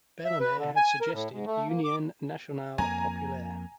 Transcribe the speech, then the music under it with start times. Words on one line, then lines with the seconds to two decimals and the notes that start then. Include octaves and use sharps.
Bellemare had suggested "Union Nationale Populaire".
0.25 E5
0.40 B4
0.58 D3
0.76 G#5
1.01 A#4
1.13 A2
1.32 G#2
1.46 A3
1.69 A#3
1.84 D6
2.78 F2 A#3 G#5 A#5